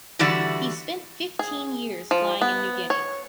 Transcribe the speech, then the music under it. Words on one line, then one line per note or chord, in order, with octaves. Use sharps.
He spent fifteen years flying in New Guinea.
D3 E3 G3 F#4 D5 E5
G#4
F3
B3
C#5